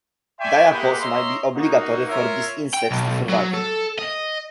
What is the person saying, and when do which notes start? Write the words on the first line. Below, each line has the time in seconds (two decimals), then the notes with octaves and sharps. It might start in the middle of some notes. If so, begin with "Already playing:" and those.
Diapause may be obligatory for these insects to survive.
0.39 D5 E5 G5 G#5 C6 C#6
0.71 G#3 A#3 G4 D#5 F#5 B5
1.00 C#5 D#5 E5 A#5 C6
1.54 A#3 D#4 F#4
2.08 F4 A#4 C#5 E5
2.74 G5
2.91 B1
3.30 F#3
3.54 A4
3.99 D#5